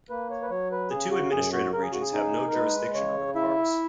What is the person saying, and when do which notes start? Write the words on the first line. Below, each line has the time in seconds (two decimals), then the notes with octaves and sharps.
The two administrative regions have no jurisdiction over the parks.
0.10 A#3 B4
0.30 C#5
0.42 B4
0.50 F#3 C#5
0.71 B4
0.91 C#3 G#4
1.11 F#4
1.31 F#2 G#4
1.53 F#4
1.73 C#3 A#4
1.82 G#4
1.92 F#4
2.01 G#4
2.13 D#4
2.47 A#4
2.54 G#3 B4
2.94 C#3 C#5
3.35 E4 E5